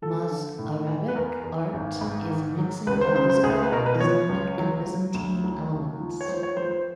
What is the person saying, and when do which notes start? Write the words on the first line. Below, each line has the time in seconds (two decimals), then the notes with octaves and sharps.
Mozarabic art is a mixing of Visigoth, Islamic, and Byzantine elements.
0.02 F3 A4
0.31 D3
0.59 A2
0.87 E3
1.08 B4
1.15 E2 A#4
1.44 E2
1.73 G#1
2.01 G#2
2.30 D#3
2.58 F#3
2.87 C#2 B4
3.01 C5
3.15 C#3 C5
3.30 C5
3.43 C#2 G#4
3.63 B4
3.72 B2 A#4
3.86 B4
4.00 F3 C#5
4.29 C#2
4.58 F#3
4.87 F#3
5.14 D2
5.44 F#3
5.71 D#2
6.00 F3
6.21 C#5
6.29 F3 C5
6.43 C#5
6.57 F3 C5
6.71 C5